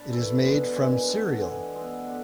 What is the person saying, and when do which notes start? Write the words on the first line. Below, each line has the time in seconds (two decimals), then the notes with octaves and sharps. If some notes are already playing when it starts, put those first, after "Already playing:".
It is made from cereal.
Already playing: D4 A5 B5
0.09 E3 A3 E4
0.42 B2 G#3 D4
0.75 F#2 E3 G#3 G#5
1.08 E3 A3 D4 F#5
1.19 F#5
1.30 F#5
1.41 E3 G#3 D4 G#5
1.73 B2 G#3 B3 E4
2.06 D3 A3 D4